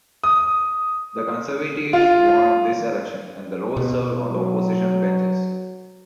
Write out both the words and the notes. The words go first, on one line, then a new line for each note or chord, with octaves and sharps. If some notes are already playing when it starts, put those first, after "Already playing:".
The Conservatives won this election, and Ross served on the opposition benches.
D#6
F4
B2
F#3